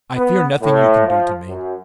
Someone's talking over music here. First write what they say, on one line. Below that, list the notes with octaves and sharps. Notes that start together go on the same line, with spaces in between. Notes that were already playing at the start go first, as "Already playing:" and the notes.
I fear nothing you can do to me.
B3
A2
F3
F#2